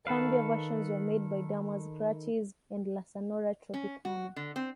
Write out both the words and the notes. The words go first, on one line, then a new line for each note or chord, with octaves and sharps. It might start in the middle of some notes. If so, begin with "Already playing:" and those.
Cumbia versions were made by Damas Gratis and La Sonora Tropicana.
D#3 A4 B4 F5
C#4
F#4
D3
C4